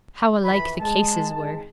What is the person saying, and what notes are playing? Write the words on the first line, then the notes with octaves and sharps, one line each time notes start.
How alike the cases were!
F2 E3 B5
G#3 A5
G#1 D#3 G#3